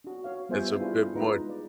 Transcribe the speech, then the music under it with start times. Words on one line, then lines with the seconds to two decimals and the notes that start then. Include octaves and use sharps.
that's a bit much,
0.04 D4 F#4
0.24 F#4 C#5 F5
0.49 G3 B3 F4 C5 E5 G#5
0.79 D4 E4 F4 G#4 C5
1.15 G#3 D#4 F4 B4 A#5
1.50 D5